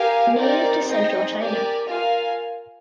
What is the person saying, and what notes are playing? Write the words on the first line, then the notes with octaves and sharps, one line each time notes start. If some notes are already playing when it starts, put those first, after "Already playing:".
Native to central China.
Already playing: G4 A#4 F5 G#5
C4 D#4 G4 A#4 D5
C4 D#4 G#4 D#5 G5
G4 A#4 D5 G#5
F4 A#4 F5 G#5